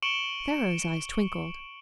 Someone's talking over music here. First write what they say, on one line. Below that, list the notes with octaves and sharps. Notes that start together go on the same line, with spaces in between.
Pharaoh's eyes twinkled.
C#6 C#7 D7 E7 F#7 G7